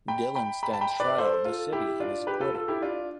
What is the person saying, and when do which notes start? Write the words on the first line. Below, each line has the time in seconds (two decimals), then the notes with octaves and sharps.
Dylan stands trial in the city and is acquitted.
0.08 G5 B5
0.35 G5 B5
0.63 G5 B5
0.73 A5
0.81 G5 B5
1.00 B4 D5
1.18 A4 C5
1.45 F4 A4
1.73 E4 G4
2.00 D4 F4
2.27 G4 B4
2.40 F4 A4
2.55 F4 A4
2.68 E4 G4
2.82 D4 F4